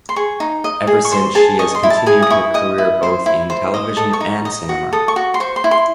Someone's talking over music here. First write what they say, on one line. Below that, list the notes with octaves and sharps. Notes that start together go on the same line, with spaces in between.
Ever since she has continued her career both in television and cinema.
C6
G#4 C#6
D#4
D#5
G#4
C#6
C5 C6
G#4 A5
D#5 C#6
C6
E4
A5
G#4 G#5
D#6
E4 C#6
D#5 D#6
E4
C5
E4
C5
D#5
A4 D#6
C#6
D#4
D#5
F#4
A4 D#6
C#6
F#4
C6
C5 C#6
C6
E4
C6